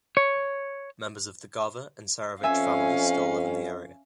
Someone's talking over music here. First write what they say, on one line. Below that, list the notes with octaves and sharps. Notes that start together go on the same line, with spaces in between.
Members of the Gava and Serovich families still live in the area.
C#5
F2 C#4 E5 F5 G#5